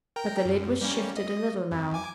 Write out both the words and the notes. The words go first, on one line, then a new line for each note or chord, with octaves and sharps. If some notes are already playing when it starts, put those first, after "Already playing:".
But the lid was shifted a little now.
A#4 G5 A#5
F#2
G3 A#3 C#4
D#5
F2
G#5 D6